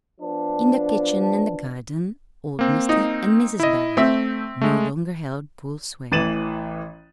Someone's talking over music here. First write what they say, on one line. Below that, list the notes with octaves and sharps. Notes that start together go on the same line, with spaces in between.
In the kitchen and the garden old Mr. and Mrs. Barrett no longer held full sway.
F3 B3 D4
A#3 C4
D#4
E4 D#5
A3 C4 E5
G#3 A3
A1 E3 A6 D#7 E7 F#7